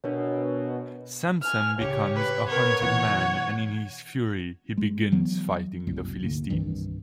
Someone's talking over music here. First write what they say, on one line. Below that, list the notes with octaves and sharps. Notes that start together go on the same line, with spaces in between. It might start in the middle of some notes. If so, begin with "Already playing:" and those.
Samson becomes a hunted man and in his fury he begins fighting the Philistines.
B2 D4 A#4 C#5
G#5 F6
A2 C#3 G4 C#5
B4
B3 A#4 C#5
B2 E3 F#5
G#3
E3 F#3 B3
F#1 C2 F#2
D2 G#2 A#3
C2 G2 D#3 E3